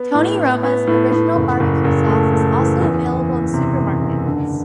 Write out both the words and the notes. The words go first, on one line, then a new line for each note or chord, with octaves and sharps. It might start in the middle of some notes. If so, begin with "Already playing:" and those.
Tony Roma's original barbecue sauce is also available in supermarkets.
Already playing: B3
A2
A2
B3
A2
A2
F#1
F#1
F#1
A3
A3
E3
E2
E3
E3
C3
F#1
F#1
D3